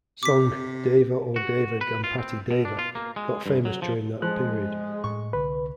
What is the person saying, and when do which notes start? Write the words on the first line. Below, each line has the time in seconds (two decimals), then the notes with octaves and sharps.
Song "Deva O Deva Ganpati Deva" got famous during that period.
0.23 C3 D6 B6
1.36 F#4
1.81 B4
2.04 F4
2.18 C4
2.51 B2
2.65 D4
2.79 F4
2.95 A#3
3.16 G#3
3.46 G2
3.65 F#3
3.82 F3
4.22 F3 G#3 F#6
5.04 A2 C#6
5.33 C2 D3 B4